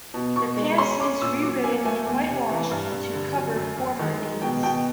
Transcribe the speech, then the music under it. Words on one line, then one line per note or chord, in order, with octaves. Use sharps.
The past is rewritten and whitewashed to cover former deeds.
B2
B2 C#6
G#3
C#4 C6
C#4 D6
A#2 E6
F#3 D6
A#3 G#5
A3 G#5
E2
C3
E3
G2
G2
D3
F#3
F#2
F#2
D#3
G#3
B2 G5
B2 G5